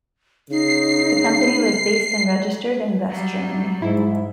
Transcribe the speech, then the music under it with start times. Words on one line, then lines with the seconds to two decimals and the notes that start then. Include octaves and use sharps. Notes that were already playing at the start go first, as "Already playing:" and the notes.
The company was based and registered in West Germany.
0.51 C#3 D#4 C7
3.09 F#3 G3
3.82 G#2 E4